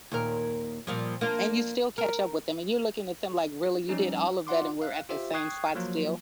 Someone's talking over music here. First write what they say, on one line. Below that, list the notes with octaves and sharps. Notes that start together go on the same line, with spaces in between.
and you still catch up with them and you're looking at them like, "Really, you did all of that and we're at the same spot still?"
D#2 A#2 A#4
A#2 F3 G3
A#3 D4 F4
A#4
F3 G3 C#4 D#4
F4 D5 F#5 C6 D6
F5 F#6
F4 G4 C5 E5
G5 C#6 D#6 F#6 G#6 C7
F3 F#3 A#3 F4